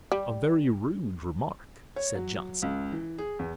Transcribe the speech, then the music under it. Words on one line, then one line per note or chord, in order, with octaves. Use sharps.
"A very rude remark," said Johnson.
G3
C#5
F#3
C#2
E3
G#4
E2